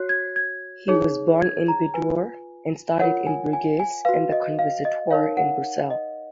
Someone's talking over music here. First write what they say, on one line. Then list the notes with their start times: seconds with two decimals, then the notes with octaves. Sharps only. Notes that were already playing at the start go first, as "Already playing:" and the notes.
He was born in Bordeaux and studied in Bruges and the conservatoire in Brussels.
Already playing: F#4 C#5 F#6
0.09 G#6
0.36 G#6
0.88 D#4 G#4 C#5
1.42 G#6
1.68 A#5
1.94 F4 B4 G#5
2.99 F4 A#4 C#5 F#5
3.27 G#5
3.53 G#5
3.79 G#5
4.05 F#4 B4 F5
4.32 D#5
4.59 F5
4.85 D#5
5.11 D#4 A#4 C#5 F5
5.37 F#5
5.90 D#5